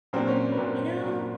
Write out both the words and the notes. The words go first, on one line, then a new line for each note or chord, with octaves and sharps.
"You know,
A#2 F#3 A#3 C4 D4 C5
C#4 C#5
B4
A#2 F#3 A#3 C4 D4 C5
A#2 F#3 A#3 D4